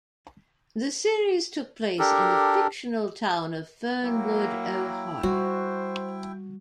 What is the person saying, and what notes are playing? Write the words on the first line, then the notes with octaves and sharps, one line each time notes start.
The series took place in the fictional town of Fernwood, Ohio.
D4 G4 A4 A#4
F#3 A#3 E4 G5
G3 F#4 C5